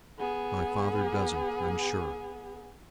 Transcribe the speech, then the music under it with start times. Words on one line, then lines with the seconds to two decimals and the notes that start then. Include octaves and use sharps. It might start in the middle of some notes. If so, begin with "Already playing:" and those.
My father doesn't, I'm sure.
0.18 B3 G#4